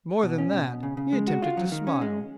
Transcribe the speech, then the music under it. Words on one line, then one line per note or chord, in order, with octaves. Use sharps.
More than that, he attempted to smile.
B2
C#4
B2
B2
C#3
C#3
G#3
F#4
F4
F#3
D#3
C#4
G#3